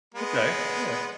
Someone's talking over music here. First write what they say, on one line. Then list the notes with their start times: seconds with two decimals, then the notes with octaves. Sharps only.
Okay. Yeah.
0.14 G#3 B3